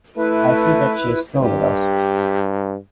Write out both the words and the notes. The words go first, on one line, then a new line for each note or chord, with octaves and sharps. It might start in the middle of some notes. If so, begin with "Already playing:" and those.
I see that she is still with us.
A3 E4 B4
G2 G4